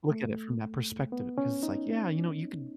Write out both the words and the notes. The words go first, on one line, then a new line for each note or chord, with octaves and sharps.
look at it from that perspective because it's like, "Yeah, you know, you could
A3
B3
C#4
D#4